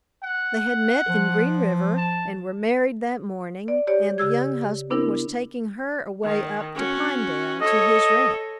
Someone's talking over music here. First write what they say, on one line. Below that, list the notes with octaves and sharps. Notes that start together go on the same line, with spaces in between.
They had met in Green River and were married that morning, and the young husband was taking her away up to Pinedale to his ranch.
F#5
F3
A5
D5
G4 C#5 D5
C#3 G4 E6 G#6
B3 D4 E4 A#4
D#3
C#4 F#4
A4 C#5 D#5